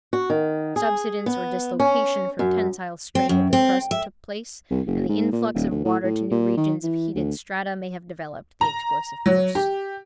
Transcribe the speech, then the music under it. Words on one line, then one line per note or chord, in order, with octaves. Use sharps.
Subsidence or dislocation from tensile strain of the crust took place, and the influx of water to new regions of heated strata may have developed the explosive force.
F#4
D#3
G#4
B3
C#4
F#2
C4
F#2
C4
E5
C2
F#1
G#2
A#2
D#1
D2
A2
A2
A#2
D#3
E3
D2
A#5
F#3
G4